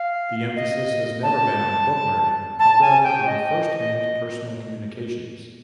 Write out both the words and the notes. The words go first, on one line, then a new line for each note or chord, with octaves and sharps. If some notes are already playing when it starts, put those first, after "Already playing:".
The emphasis has never been on book learning, but rather on first-hand personal communication.
Already playing: F5
D#5
A5
A5
G#5
G5
D#5